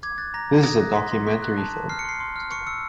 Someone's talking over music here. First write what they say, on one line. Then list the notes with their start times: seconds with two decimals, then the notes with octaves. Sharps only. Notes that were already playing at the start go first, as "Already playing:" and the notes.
This is a documentary film.
0.03 D6 G#6
0.18 F#6 A6
0.34 A#5 A#6
0.50 A#5
0.65 D#6 A#6
0.80 F#6 A#6
0.96 C6 B6
1.06 A#6
1.11 C6
1.27 C#6 B6
1.42 F#6
1.58 A5
1.74 A5
1.89 F6 C7
1.99 C#7
2.05 C6 C7
2.20 C6
2.36 F6
2.51 C#6 C#7
2.67 E6 C#7